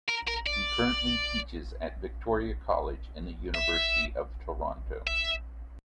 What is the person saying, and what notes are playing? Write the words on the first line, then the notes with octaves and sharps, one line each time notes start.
He currently teaches at Victoria College in the University of Toronto.
A#4
A#4
D5
E5
E5